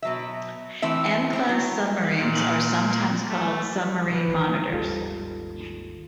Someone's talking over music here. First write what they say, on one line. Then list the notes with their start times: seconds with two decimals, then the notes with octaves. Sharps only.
M-class submarines are sometimes called submarine monitors.
0.02 B2 F#3 E5
0.82 E3 A3 C4 E5
1.33 C4 E4
1.49 F#3
2.18 A#2
3.29 A3
4.07 E3
4.73 G#1 D#2 G3 F4 A4